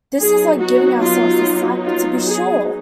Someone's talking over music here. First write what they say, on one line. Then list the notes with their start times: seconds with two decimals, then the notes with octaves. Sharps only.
This is like giving ourselves a slap, to be sure!
0.19 F#3 B3 D#4 G#4
0.60 F#4
1.01 F4
1.85 F4
2.25 G#4